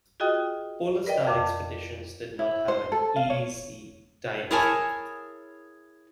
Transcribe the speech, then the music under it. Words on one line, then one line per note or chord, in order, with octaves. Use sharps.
Polar Star Expeditions did not have an easy time of it.
F4 F#4 G#4 D#5 G5 D#6
A#4 B4 D5 D#5 G5
F2 F5 D6
E4
C5
A4
F5
C#5
E4 G#4 A#4 C#5 G#5 A5